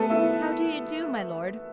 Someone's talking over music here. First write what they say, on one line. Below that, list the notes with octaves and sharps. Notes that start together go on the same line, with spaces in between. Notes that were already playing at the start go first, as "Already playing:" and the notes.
How do you do, my Lord?'
Already playing: A3 B3 A4 B4
E4 E5